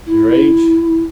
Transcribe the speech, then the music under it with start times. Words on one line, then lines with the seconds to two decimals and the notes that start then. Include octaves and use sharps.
"Your age?"
0.07 E4